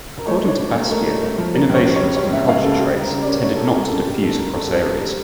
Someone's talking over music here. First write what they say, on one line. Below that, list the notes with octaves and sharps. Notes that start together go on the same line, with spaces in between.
According to Bastian, innovations and culture traits tended not to diffuse across areas.
A#4
A3 C#5
D4
C#5
D4
A#4
A3
A3 A#4
A3
A3
F3
G3 A#4
C#2
C#5
C#2
C#5
C#3
G3 C#5
C#2 E5
C#2 F5
C#3 A4
C#3 G4
G3
A#4
C#3
D5
C#4
C#3 C#5
C#4 A4
A#4
G3
A4
C#3
G2 G4
G2 A4
G3 A#4
G2 A4
G3 A4
G2 A4